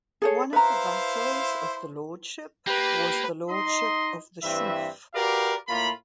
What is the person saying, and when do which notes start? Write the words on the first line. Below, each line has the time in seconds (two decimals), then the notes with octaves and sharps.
One of the vassals of the lordship was the Lordship of the Shuf.
0.22 G#4 A4 C#5
0.53 E4 B4 C5 F5 A#5
2.67 A#3 G4 B4
3.49 D#4 D#5 C6
4.43 G2 E3 C4 B4 E5
5.15 F#4 G4 A#4 B4 D5 F5
5.68 A2 A#3 F4 A#4 B5